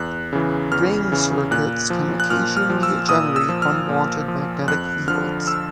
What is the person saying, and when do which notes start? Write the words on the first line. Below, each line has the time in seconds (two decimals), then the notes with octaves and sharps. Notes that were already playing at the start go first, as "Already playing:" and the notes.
Ring circuits can occasionally generate unwanted magnetic fields.
Already playing: E2 F#6
0.33 C#3 E3
0.72 E2 F6
1.12 C#3 E3
1.51 A#2 F#6
1.90 F3
2.20 F#6
2.30 A#2 F6
2.57 F6
2.70 F3
2.83 E6
3.09 A#2 D#6
3.36 E6
3.49 F3
3.62 F6
3.89 A#2
4.28 F3
4.68 F2 F#6
5.08 D3 F3 F6
5.47 E6